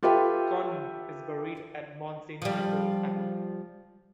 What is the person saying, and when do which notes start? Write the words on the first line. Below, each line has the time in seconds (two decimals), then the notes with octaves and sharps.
Conan is buried at Mont Saint-Michel Abbey.
0.03 F4 G4 A4 B4 E5 G5
2.42 F3 G3